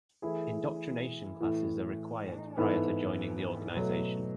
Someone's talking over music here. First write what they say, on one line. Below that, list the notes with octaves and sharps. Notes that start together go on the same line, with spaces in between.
Indoctrination classes are required prior to joining the organization.
E3 A3 E4 G#4
A2 E3 A3
G#2 E3 B3 E4 A4
B2 F#3 A3